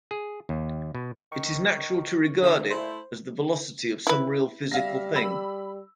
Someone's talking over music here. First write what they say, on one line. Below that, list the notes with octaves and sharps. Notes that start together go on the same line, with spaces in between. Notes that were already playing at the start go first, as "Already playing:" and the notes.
It is natural to regard it as the velocity of some real physical thing.
G#4
D#2
B2
D#3 C#6
A#2 D3 D#3 A3
A3 E4 C5
E4 B4
G3 E5 F5 A#6
B5 E6